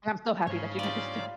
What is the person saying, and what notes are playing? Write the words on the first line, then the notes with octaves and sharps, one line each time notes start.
and I'm so happy that you guys are still
G#2 C#5 F5
G3 F4 D5